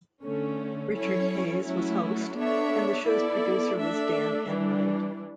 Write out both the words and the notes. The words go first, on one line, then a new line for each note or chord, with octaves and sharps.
Richard Hayes was host, and the show's producer was Dan Enright.
D3 A3 C#4
F#3 C#4 E4 A4 C#5
F#3 A3 C#4 E4
B3 D4 A4 C#5 E5
B3 E4 A4 D5
A3 D4 A4 E5
E3 G3 D4